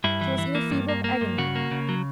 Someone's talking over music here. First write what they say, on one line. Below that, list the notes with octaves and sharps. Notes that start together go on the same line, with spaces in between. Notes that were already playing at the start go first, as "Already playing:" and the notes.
She was in a fever of agony.
G2 E4
E3
E3
A#3
G2
A#3
A#3
G2
C#3 F#4
A#3
C#3
F#3